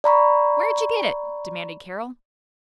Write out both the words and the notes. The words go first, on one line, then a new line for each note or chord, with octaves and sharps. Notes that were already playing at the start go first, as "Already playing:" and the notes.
"Where'd you get it?" demanded Carroll.
D5 A#5 B5 C#6